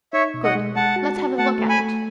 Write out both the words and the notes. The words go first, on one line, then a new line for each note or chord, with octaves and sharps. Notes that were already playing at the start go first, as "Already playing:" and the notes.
"Good; let's have a look at it."
D#4 C#5 E5
B2
D#5 F#5
G#3
G#3 F#5 A5
F#4
F#4
A3 F#5 A5
A3
G#5 B5
A3